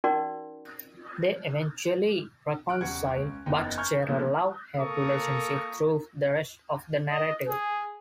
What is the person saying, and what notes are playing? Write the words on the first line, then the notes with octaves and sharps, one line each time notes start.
They eventually reconcile, but share a love-hate relationship through the rest of the narrative.
C#4 D#4 F#4 A#4 D5 C6
F6 F#6 D7
E1 C#3 G3 F#4 F#5 G#6
C#2 C#4
F#1 E2 D#4 D#5 G5
G#5 A#5 C#6 F6 G6 G#6
A#2 D3 F3 A#3 B3
A#3 A4 A#4 A#5 C#6 D#6
D#5
G#4